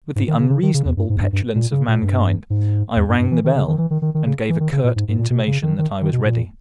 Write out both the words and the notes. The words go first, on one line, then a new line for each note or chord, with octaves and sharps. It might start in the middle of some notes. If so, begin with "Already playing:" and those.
With the unreasonable petulance of mankind I rang the bell and gave a curt intimation that I was ready.
G#2
D#3
C#3
C#3
D#3
C#3
E2
G2
G#2
E2
G2
G2
A#2
C#3
A#2
G2
G#2
E2
G2
G2
E3
D#3
C#3
D#3
E3
D#3
D#3
D#3
C#3
E3
D#3
C#3
A#2
G#2
G#2
A#2
B2
C#3
D#3
D#3
D#3
B2
A#2